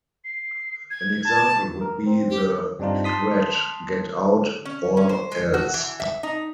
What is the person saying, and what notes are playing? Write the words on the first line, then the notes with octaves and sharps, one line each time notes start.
An example would be the threat Get out, or else-!
C7
G#6
A5
A#4
C4
G4
G2 G3 C4 D4 D#4 F4
A5 C6 D#6 B6
C#4
C#4
C5
G#3
F#4
E3
E5
D#4